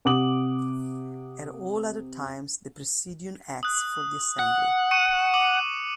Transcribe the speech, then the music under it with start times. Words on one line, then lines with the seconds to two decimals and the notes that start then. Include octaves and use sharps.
At all other times, the Presidium acts for the Assembly.
0.05 C3 F#5 D6 D#6 F#7
3.63 D#6 F#6
4.39 F#5
4.91 C#6 C#7 D#7
5.34 D6 F#7